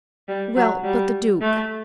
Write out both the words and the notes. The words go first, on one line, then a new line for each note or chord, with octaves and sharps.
"Well, but the duke?"
G3
F#3
G3
A3